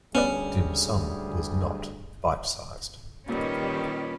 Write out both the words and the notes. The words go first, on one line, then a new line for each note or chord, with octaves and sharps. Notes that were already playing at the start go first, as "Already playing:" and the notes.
Dim Sum was not bite-sized.
D2 G3 B3 C#4 G#4 B4 D5
A#2 D#3 G3 C#4 B4